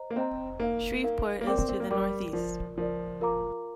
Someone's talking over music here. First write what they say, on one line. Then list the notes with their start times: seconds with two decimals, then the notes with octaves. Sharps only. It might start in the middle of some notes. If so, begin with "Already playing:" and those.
Shreveport is to the northeast.
Already playing: C5 D#5 A#5
0.10 A#3
0.16 C4 C5 D#5 G5 A#5
0.60 A#3 D#4 A#4 F5
1.04 D#4 A#4 F5
1.41 A#3
1.47 C4 A#4 D5 G5 D6
1.58 C4
1.69 C4
1.80 A#3
1.90 G3 A#4 D5 G5 D6
2.33 F3 F4 A#4 D5
2.77 F3 F4 A#4 D5
3.20 F4 A#4 F5 A#5 D6